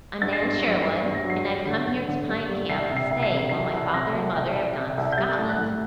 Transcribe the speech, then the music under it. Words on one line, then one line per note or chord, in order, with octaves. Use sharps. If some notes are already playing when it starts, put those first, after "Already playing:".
"I'm Nan Sherwood, and I've come here to Pine Camp to stay while my father and mother have gone to Scotland."
G2 A6
C7
A#6
G2
A#6
F#3
A#6
G2 C7
G2
A#6
F#3
C7
G3 C7
D3
D3
D3
G2
G3
C2 C7
C3
C7
C2
C7
C3
F#3 C7
C2
C3 A#6
F#3
C2
C2
C3
C2
G6
G3 A6
A2
F#6
A2